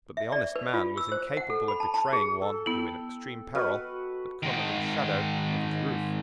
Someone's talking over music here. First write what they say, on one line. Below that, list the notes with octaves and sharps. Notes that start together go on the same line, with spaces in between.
But the honest man was incapable of betraying one who, in extreme peril, had come under the shadow of his roof.
E5
D5
B4
F4
E6
C5
F#5
A4
B5
A5
A5
G#4
A4
B3 E4 G5
F#4 B4 D#5 F6
G#2 D#3